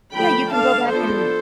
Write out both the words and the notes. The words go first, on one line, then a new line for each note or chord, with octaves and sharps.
Yeah, you can go back and
D3 F3 A3 G5 B5
D3 A3 D4 F5 A5
F3 B3 D4 A4 C5